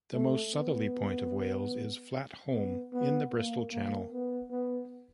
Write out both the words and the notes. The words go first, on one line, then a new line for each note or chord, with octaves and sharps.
The most southerly point of Wales is Flat Holm in the Bristol Channel.
A3
B3
B3
B3
A#3
A#3
B3
B3